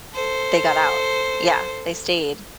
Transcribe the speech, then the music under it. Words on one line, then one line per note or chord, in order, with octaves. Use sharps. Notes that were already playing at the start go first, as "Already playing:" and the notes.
they got out. Yeah, they stayed.
A4 C5